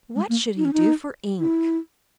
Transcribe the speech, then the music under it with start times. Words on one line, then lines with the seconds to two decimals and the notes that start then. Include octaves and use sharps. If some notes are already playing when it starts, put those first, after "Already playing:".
What should he do for ink?
0.15 G#3
0.29 A#3
0.57 D#4
0.65 C#4
0.73 D#4
1.40 E4